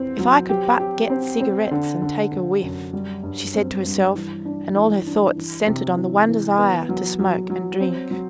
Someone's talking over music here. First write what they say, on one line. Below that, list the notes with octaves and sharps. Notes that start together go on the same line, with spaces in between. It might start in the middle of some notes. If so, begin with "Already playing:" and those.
"If I could but get cigarettes and take a whiff!" she said to herself, and all her thoughts centred on the one desire to smoke and drink.
Already playing: E2 C4
F#3
G4
G4
C4
C4
D3
D3
D3
F#2
G3
G2
C4
G2
E3
D4
E3
D4
E3
C3
E3
E3
B3
F#3
F#3
F#3
C4
F#3